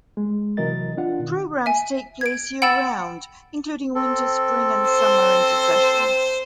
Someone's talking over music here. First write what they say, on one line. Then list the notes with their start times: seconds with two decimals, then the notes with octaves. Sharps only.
Programs take place year round including winter, spring and summer intersessions.
0.17 G#3
0.57 C3 E3 F#3 A#4 D#5 A6
0.97 D4 F4 F#5
1.19 B2 D#3
1.66 E5 G#5
2.21 G#6 D7
2.62 F#5 G5 B5 E6 A6 E7
3.95 C4 A4
4.88 C5